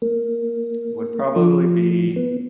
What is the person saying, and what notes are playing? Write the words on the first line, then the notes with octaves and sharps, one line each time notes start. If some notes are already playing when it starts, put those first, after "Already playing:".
It would probably be
A#3
F3
B3